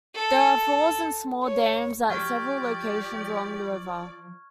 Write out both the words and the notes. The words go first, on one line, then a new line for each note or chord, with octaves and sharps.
There are falls and small dams at several locations along the river.
A4
C#5
F3 G4 D5 C#6 F6 G#6